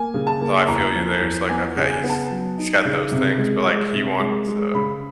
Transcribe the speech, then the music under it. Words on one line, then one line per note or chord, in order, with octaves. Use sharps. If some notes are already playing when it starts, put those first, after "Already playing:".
Well, I feel you there. It's, like, I've had he's he's got those things, but, like, he wants, uh,
Already playing: A#3 G#5
C#3
A5
A#3
E2 A#5
F3
E2
B3 G#5
C#3
G#5
B3
A5
F#3
D#4
C#3
C3
G#3
G#3
C3
G#3
G#3
C#3 B5